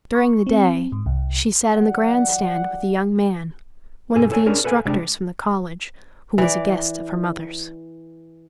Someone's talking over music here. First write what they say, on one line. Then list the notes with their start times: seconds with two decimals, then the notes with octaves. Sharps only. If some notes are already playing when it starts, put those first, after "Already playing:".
During the day she sat in the grand-stand with a young man, one of the instructors from the college, who was a guest of her mother's.
0.15 C#6
0.47 C4
0.92 G#2
1.06 C2
1.75 E3 F#3 G4 D5 F#5
4.15 B1 G2 A4 G#5
4.32 A4 C#5 G#5
4.46 C#4 D4 G#4 A#4 C#5
4.64 A4 B4 F5 G#5
4.85 C3 G3 G#3 D4
6.38 E3 D5